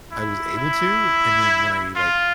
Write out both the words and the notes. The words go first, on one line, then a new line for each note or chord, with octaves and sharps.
I was able to, and then when I, like,
E4
E4
F4